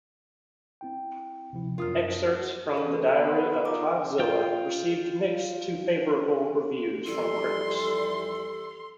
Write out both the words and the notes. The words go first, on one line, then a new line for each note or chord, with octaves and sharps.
"Excerpts from the Diary of Todd Zilla" received mixed-to-favorable reviews from critics.
C4 E4 G5
C3 F3 E4
F#2 F4 A#4 D#6 F6
F#4
E3 A4
B3 B4
D#4 F4 G#4 A#4 D6
F4 G5
F2 E3 G3 A4 C6